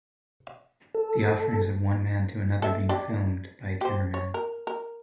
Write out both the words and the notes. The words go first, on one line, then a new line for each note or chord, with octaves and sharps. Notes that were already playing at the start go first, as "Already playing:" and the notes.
The offerings of one man to another being filmed by a cameraman.
A4
A4 E5
D4 G4
G4 C5
C#5
A#4
A#4